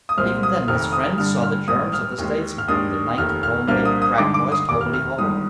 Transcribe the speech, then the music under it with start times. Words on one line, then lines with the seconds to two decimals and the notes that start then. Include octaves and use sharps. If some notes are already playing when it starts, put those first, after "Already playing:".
Even then his friends saw the germs of the statesman in the lank, homely, crack-voiced hobbledehoy.
0.09 D#6
0.17 C2 A#2 G#3 C4 F6
0.43 D#6
0.68 F1 F2 C3 D#3 F6
0.92 D#6
1.18 G2 D3 G3 F6
1.43 F6
1.68 A#1 G#2 G3 D#6
1.93 F6
2.18 D#2 D#3 G#3
2.58 F6
2.68 D#2 D#3 G#3 D4 D#6
3.17 F1 D#2 D#3 F6
3.43 F6
3.68 C2 A#2 F3 A#3 D4 F6
3.85 D#6
4.02 D#6
4.18 G2 D3 G#3 D#4 D6
4.34 D6
4.52 D#6
4.68 F1 D#2 D#3 D6
4.81 F6
4.93 F6
5.18 G1 G2 D#3 G#3 D#4 D#6